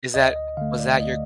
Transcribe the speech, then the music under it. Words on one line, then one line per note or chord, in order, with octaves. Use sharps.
Is that was that your
D2 D#5
D#5
D3 A3 F5
D5
D2 D#5